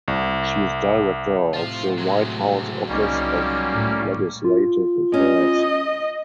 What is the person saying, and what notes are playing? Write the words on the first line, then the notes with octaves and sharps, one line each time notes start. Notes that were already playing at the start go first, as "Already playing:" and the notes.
She is Director of the White House Office of Legislative Affairs.
C2
A2 C3 F4 C5
F#3 G#3
C2 G3 A#3 C#4 D#4
A2
F4
C#4 D#5